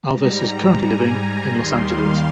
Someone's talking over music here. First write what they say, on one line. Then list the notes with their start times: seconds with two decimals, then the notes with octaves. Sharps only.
Alves is currently living in Los Angeles.
0.11 G#2 G3 A#5
0.80 G#5
1.16 A#5
1.51 D#2 D#3 G3 C6
1.85 F5